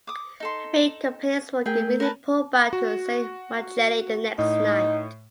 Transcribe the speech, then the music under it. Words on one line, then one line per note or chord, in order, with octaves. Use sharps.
The three companies were immediately pulled back to San Micheli the next night.
D6 D#6
D#4 A4 C6
A3 G#4 A#4 G5 G6
A#4 B4 A5
F#4
A2 D#4